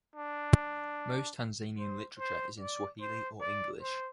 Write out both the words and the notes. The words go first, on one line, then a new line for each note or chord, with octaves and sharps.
Most Tanzanian literature is in Swahili or English.
D4
C5
C5
D5
C5
D5
C5